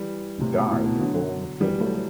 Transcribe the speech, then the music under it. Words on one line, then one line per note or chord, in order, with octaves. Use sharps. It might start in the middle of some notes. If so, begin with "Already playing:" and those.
He died the following February.
Already playing: E3 G3
A2 C3
B2
A2
B2
D3 F#3
E3 G3
F#3 A3